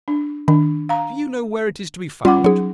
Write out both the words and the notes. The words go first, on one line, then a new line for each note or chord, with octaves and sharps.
'Do you know where it is to be found?'
D4
D#3 D4
F5 A#5
G3 C#4 F4 F#5 D6
F#3 D#4 G#4